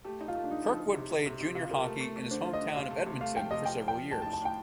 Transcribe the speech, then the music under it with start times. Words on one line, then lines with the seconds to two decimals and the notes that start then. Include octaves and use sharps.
Kirkwood played junior hockey in his hometown of Edmonton for several years.
0.05 A3 G4
0.21 D#4
0.28 F4
0.35 A3
0.44 D4
0.51 A3 D#4
0.65 F3
0.80 F3
0.96 C3
1.10 C3
1.26 C3
1.41 C3
1.55 C3 F4
1.70 C3 A#4
1.85 A3
2.01 A3
2.16 A3
2.31 D3 C5
2.45 F4
2.53 D#5
2.61 D3
2.76 C3 F5
2.91 A3
3.06 C3
3.21 A3 F5
3.36 F3 G5
3.51 C3 D#5
3.66 F3 G5
3.81 F3
3.88 G5
3.95 F3
4.11 A2 A5
4.22 A5
4.26 D#4
4.33 A5
4.41 A2 G5